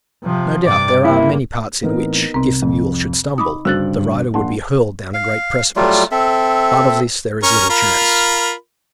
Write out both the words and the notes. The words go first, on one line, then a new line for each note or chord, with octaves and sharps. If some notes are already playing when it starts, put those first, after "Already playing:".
No doubt there are many parts in which, if the mule should stumble, the rider would be hurled down a great precipice; but of this there is little chance.
C3 F3
G2 C3 D5 D6
A#3 E4
A2 E3 B3 C4 D#4 A#4
C2 C3 C4
F2
D#4 B5 D6 D#6
G1 G2 C#3 F#4 C5 F#6 A6 F#7
A#1 A#3 F#5 A5 C6
F5
F#3 G3 A3 F4
C4 A4 E5
C#4 A#4 C#6
F4 A#4 B5